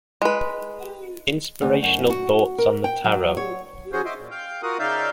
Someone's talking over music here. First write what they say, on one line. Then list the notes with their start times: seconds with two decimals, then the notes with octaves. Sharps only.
"Inspirational Thoughts on the Tarot".
0.22 G#3 B4
1.62 D2
1.83 F#2
2.10 F#4
2.58 A#4
2.84 G5
3.04 F#3
3.37 C#5
3.93 E3 C#4 F#4 G#4 C5
4.06 D#5 E5 C6 D6
4.18 A#2
4.31 F5 G5 G6
4.63 F4 F#4 A#4 F#5 D#6
4.79 C#3 D#4 D5 E5 F5 G6